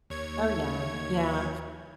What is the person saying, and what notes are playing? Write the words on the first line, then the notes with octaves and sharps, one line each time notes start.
Oh, yeah. Yeah.
D#2 C#5 G#6